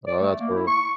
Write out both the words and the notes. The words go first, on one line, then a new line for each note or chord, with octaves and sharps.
Oh, that's brutal.
D5
A3
A#3
E4
C#6